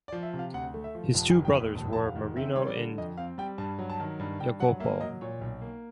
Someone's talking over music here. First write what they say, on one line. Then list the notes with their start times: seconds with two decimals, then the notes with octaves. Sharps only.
His two brothers were Marino and Iacopo.
0.08 D5
0.12 F3
0.23 E5
0.33 C3
0.39 F5
0.54 D2 F#5
0.74 A3
0.84 E5
0.95 F3
1.14 F1 A5
1.30 G#5
1.34 D#3
1.45 G5
1.55 D#2
1.75 F1 A5
1.93 F1 A5
2.06 F5
2.16 D#3
2.36 C4 E5
2.56 G3 C#5
2.68 D5
2.77 D3
2.98 F2 D#5
3.17 C4 F5
3.38 G3 G5
3.58 G2 A5
3.79 F#3
3.90 A5
4.00 D#3
4.20 G2
4.40 G2 G5
4.60 F#3 F#5
4.80 A#3 E5
5.01 F#3 D#5
5.21 A#2 C#5
5.41 B1
5.61 A#3